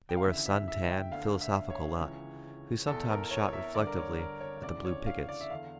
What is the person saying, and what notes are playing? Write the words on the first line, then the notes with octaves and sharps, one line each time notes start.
They were a sun-tanned, philosophical lot, who sometimes shot reflectively at the blue pickets.
G5
F5
D2 C#3 E3 E5
E5
E5
G5
D2 D3 F5
E5
C#5
C#2 C#3 E3
E2 E3 A4
A#4
C#5
E5
G2 D3 D5
A#4
C#5
A#4
C#5
D2 C#3 E3 D5
C#5
F5
D5
E5
E2 D3 F5